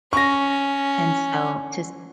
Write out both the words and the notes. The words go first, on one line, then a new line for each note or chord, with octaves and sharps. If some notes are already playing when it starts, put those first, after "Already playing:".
And so to
C#4 C#6 A#6